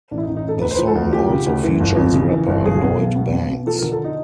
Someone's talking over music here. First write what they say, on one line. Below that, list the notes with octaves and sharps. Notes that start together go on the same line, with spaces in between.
The song also features rapper Lloyd Banks.
A1 D4
E4
D#4
A1
D#4
A1 A4
D2 B4
C5
B4
F3
A4
D2
F3 G4
C#3
D2
E3
G1
F2
C#3
E3
G1
B1 G#4
B2
B1
B2
B2
B2
F3 A4
A#4
D3
A4
D#4